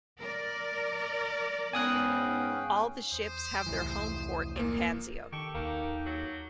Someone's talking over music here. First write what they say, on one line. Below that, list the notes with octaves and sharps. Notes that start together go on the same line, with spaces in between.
All the ships have their home port in Pansio.
A#4 D5
G#2 B3 C#4 F5 G5 G#5 D#6 F#6
E2 C5 D#6
C2 A2 E3
A#2 A#3
D#3 G4 A4 C#6
D#2 A#3 D#4
F#3